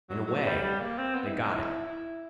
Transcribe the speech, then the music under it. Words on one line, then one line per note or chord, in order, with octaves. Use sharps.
In a way, they got it.
F#3
F#3
G3
G3
A#3
C4
B3
E4
D#4
D#4
E4
E4